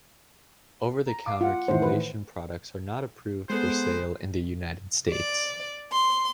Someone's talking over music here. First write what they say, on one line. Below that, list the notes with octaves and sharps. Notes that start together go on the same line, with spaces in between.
Over-the-counter chelation products are not approved for sale in the United States.
A#5
F5 D6
F4 F#5
A2 D#3 E3 C5
B4
G#3 B3 G#4 A4 B4 C5
D5
C6